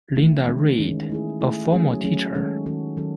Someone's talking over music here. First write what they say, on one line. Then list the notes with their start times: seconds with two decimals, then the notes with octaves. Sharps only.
Linda Reid, a former teacher.
0.16 E3 A3 E4
0.47 D#3 G#3 C#4
0.78 D#3 G#3 C#4
1.10 A3 E4 G#4
1.41 A3 E4 G#4
1.72 F#3 A3 C#4 G#4
2.04 F#3 A3 C#4 G#4
2.34 D#3 G#3 C#4 F#4 A4
2.66 D#3 G#3 C#4 F#4 A4
2.97 D#3 F#3 C#4 F#4 A4